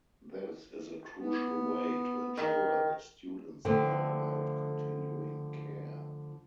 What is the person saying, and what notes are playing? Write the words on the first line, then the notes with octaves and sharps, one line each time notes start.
This is a crucial way to ensure the students learn about continuing care.
B3
D#3
D3 F3 A3 C4